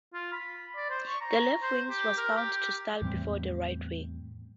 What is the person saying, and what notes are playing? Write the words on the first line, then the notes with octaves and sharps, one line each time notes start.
The left wing was found to stall before the right wing.
F4
B5
D5
C5
C#6
A#5
C5
G4
A#4
G4
G4
E2 A2 G3 C4